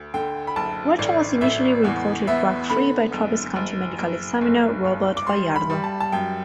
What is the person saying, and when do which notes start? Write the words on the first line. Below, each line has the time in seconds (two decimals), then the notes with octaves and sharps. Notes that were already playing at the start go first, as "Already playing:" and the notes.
Rocha was initially reported drug-free by Travis County Medical Examiner Robert Bayardo.
Already playing: D2
0.14 D3 G5
0.47 B5
0.56 F#1 A5
0.98 A1 D5
1.41 A1 E5
1.84 E2 F#5
2.27 B3 E5
2.70 D3 B5
3.13 F#1
3.56 F#1
3.99 F#1
4.41 G1
4.84 G2
5.17 D6
5.27 G3 C6
5.56 B5
5.70 G3
5.84 A5
6.00 A5
6.12 F#2 G5